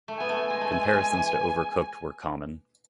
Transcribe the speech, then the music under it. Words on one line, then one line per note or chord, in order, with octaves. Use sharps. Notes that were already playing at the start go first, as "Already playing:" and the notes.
Comparisons to "Overcooked" were common.
A3
B3 G#5
A3
G#3 G#5
A3
G#3
A3
G#3
E3